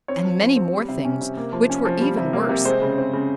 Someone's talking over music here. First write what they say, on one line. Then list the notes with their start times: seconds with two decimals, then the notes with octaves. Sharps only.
And many more things which were even worse.
0.08 C4 C#5
0.25 F3
0.40 F3
0.56 C4
0.73 G3
0.89 C3
1.05 C#4
1.21 C3
1.37 A#3
1.53 F3
1.70 C#4
1.85 F3
2.01 G3
2.17 C3
2.33 A#3
2.49 C3
2.65 G#3 C5
2.82 C#3
2.98 C4
3.13 C#3